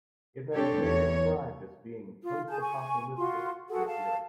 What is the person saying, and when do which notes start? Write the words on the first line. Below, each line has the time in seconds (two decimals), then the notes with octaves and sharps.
It has been described as being "post-apocalyptic" in appearance.
0.54 G#3 C4 D4 G4 A4 C#5
0.83 E2 E3 C#5
2.22 F4
2.48 G#4 G#5 A5 G6
2.60 G#5 C#6
3.17 F4 F#4 C6
3.69 F#4 G#4 A4 F#5
3.86 F5 A5